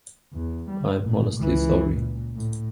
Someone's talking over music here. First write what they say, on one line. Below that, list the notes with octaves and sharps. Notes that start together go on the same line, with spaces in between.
I'm honestly sorry.
E2
G3
A1 A#2
C#2 E3
A#2
A2